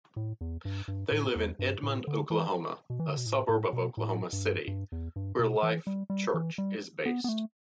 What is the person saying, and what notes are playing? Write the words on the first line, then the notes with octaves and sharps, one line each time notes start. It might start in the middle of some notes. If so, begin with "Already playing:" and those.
They live in Edmond, Oklahoma, a suburb of Oklahoma City, where Life.Church is based.
A2
E2
G2
G2
A2
E2
G2
A2
D3
E3
B2
E3
D3
B2
A2
A2
B2
A2
G2
G2
E2
G2
B2
E3
G3
G3
E3
G3
B3
B3
A3